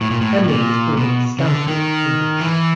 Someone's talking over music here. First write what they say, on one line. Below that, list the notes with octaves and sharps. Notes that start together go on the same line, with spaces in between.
Emlyn was born at Stamford, Lincolnshire.
A2
A#2
A2
A2
A#2
B2
C#3
D3
D#3
E3